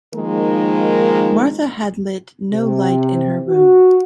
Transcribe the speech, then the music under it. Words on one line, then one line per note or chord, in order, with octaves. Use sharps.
Marthe had lit no light in her room.
D#3 F3 G#3 A#3 D#4 A#4
C3
F#4